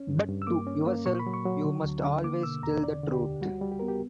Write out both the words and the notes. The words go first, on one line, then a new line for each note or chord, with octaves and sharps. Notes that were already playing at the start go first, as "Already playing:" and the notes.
But to yourself you must always tell the truth.
Already playing: C#4
G2
G2
E6
A#3 D6
C#4
A#3
A#2 C#6
B5
F#3
C#6
F#3
D3
D2
D3
A#3 D6
B2 E6
E2 A#5
D3 D5
D3
G4
D2
G3 F#4
G3
G4
B3 A#4
G4